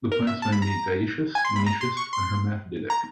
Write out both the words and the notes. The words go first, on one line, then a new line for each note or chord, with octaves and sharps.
The plants may be dioecious, monoecious, or hermaphroditic.
A#4
E5
A5
B5
A#5
G#5
C6
B5
A#5
C6
C#6
C6
A#5